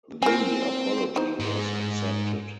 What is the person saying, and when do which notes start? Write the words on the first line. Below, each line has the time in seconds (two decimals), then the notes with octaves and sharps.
The apology was accepted.
0.22 C4 A#4 G#5
1.16 D#4 C5
1.40 G#2 G#3